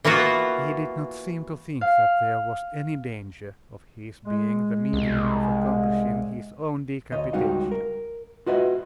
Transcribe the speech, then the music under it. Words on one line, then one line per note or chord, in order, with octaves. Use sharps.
He did not seem to think that there was any danger of his being the medium of accomplishing his own decapitation.
E3 A#3 B3 F4 F#4
F5
G#3
C2
D2 C#5 D#5
C#2 G3 D#4 F#4 F5
A#4
F4 F#4 B4 D#5 E5